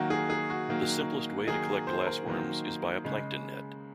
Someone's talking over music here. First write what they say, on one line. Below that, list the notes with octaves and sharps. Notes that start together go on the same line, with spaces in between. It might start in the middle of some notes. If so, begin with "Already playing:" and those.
The simplest way to collect glassworms is by a plankton net.
Already playing: D#3 F#3 A#3 F#4
G#4
G#4
F#4
D#3 F#3 A#3
D#3 F#3 A#3 G#4
C5
A#4
D#3 F#3 A#3
C#3 G#3